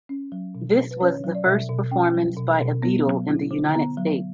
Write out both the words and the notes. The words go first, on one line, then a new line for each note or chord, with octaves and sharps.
This was the first performance by a Beatle in the United States.
C#4
F#3
B2
B2
B4
C#4 C#5
F#3
D5
B2 E5
B2
C#4 G5
F#3
B2
B2
B3
F#3
E4
D3
B3 A#5
F#3